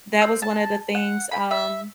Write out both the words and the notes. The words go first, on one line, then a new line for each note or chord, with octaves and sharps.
that was one of the things, um,
C4
A5
F#5
B5
E5